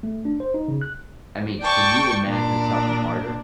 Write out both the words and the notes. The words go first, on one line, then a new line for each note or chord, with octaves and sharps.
I mean, can you imagine something harder?
A3
D4
C5
D#4
C#3
F#6
D5 G5 A5 C#6
A#2 D4